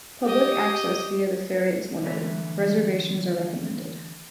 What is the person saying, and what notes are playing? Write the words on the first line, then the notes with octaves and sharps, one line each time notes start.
Public access via the ferry is limited, reservations are recommended.
G4 D#5
D3 E3 A3 E5